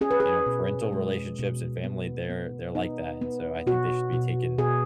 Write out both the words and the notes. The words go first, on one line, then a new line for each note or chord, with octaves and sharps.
you know, parental relationships and family, they're they're like that, and so I think they should be taken
C#4 G#4
B4
G#4
B2
G#3
B2
B3
B3
B3 D#4
B3
B2 F#4
B2
B2 G#4